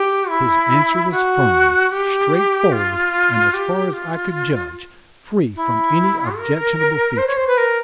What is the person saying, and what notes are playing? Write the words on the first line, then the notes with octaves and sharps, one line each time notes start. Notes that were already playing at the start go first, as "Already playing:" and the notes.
His answer was firm, straightforward, and, as far as I could judge, free from any objectionable feature.
Already playing: G4
E4
F#4
G4
F4
G4
F4
E4
A#4
C5
C#5
C5
B4
A#4